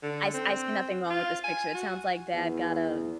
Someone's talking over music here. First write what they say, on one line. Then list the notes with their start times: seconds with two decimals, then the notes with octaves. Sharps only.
I s I see nothing wrong with this picture. It sounds like dad got a
0.02 D3
0.33 C4
1.10 F4
1.44 G#5
1.74 F#4
2.34 E2